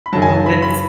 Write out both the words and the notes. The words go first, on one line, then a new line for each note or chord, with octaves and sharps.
Well, let's
B5
F#2 C#3 F#3 A5
G#5
A5
B5
B5